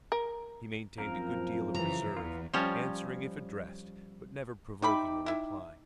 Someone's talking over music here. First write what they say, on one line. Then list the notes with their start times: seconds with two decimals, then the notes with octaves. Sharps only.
He maintained a good deal of reserve, answering if addressed, but never provoking a reply.
0.12 A#4
0.98 F#2 F3 A#3 C4 A#4
1.75 C#3 E3 A#5
2.17 E2 B3 F4
2.54 F3 G3 C#4
4.82 C3 D#4 E5 G5 B5 D6
5.26 E4 E5